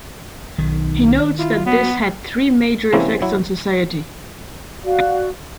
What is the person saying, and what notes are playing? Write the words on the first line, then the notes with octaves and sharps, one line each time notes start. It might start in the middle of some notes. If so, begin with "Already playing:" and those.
He notes that this had three major effects on society.
B1 D#3
E4 F4
F#3 B3
C3 E3 A#3 C4 C#4 E4
F#3 E4
F#4 D5 F5